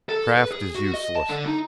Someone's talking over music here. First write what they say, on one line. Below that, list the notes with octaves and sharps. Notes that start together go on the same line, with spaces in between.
Craft is useless!
A4
B4
G#4
F#4
D#5
A5
D3
D#4